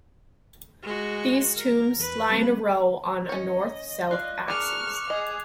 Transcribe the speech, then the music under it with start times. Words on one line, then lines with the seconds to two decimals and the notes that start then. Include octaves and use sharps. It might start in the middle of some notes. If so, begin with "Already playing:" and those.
These tombs lie in a row on a north-south axis.
0.82 G#3 F#4
1.57 A#4
2.00 E2 B4
2.30 G3 A3 C4
3.29 C#4 C#5 D#5
4.11 F4 D5 F5 F#6
4.48 D4 G#4 A#4 C#6 D6 F6
5.10 G#4 D#5 F7